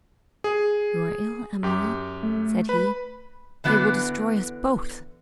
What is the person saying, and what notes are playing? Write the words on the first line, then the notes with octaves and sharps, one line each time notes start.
'You are ill, Emily,' said he, 'they will destroy us both!
G#4
F#2 G4
A3
B4 B5
D3 E3 B3 F#4